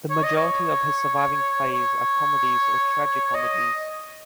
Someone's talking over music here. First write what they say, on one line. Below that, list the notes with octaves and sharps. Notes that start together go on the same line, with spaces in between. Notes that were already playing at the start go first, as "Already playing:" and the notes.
The majority of his surviving plays are comedies or tragicomedies.
C#5
D#5
C#5
C#5
D#5